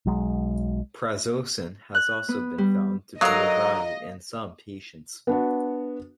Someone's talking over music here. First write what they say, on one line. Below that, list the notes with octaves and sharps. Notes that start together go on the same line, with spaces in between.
Prazosin has also been found to be of value in some patients.
B1 F#3 G#3
F#6
B3
G3
D3 F#3 A#4 D#5 F5 A#5 D#6
B3 D4 F#4